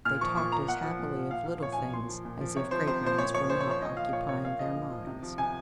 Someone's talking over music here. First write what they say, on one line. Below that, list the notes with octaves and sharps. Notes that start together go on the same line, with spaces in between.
They talked as happily of little things as if great ones were not occupying their minds.
A#2 F6
F3 C#6
A#2 C#6
F3 A#5
A#2 F#5
F3
A#2
F3
A#2 F5
F3 F5
A#2 C#5
G#5
F3
A#2 C6
F3
A#2
F3
C3 C#5
F3 C5
C3 C5
F3 C5
A#2 C#5
F3 C#5
A#2 C5
C#5
F3
C#5
A#2 D#5
F3 F5
A#2 C#5
F3 C#5
A#2 F5
F3 D#5
A#2
F3
C3
F3
C3 G#5